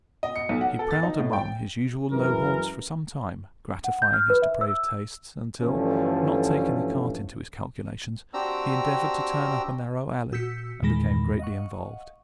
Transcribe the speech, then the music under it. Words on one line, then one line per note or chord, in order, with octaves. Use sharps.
He prowled among his usual low haunts for some time, gratifying his depraved tastes, until, not taking the cart into his calculations, he endeavoured to turn up a narrow alley, and became greatly involved.
D#5
C#7
B1
F#5
A4
A6
D#4
A2
G5
F#2 E3 G#3 A#4
F#5
G6
F6
B4
E5
E6
G2 D3 E3 F3 A3 C#4
C4 D4 F#4 G4 A#5 E6
A#2 F#4 E6 G6 B6 C#7
E2 A#2 D#3 G#3 B5 A#6
D#5 F5 F#5 C#6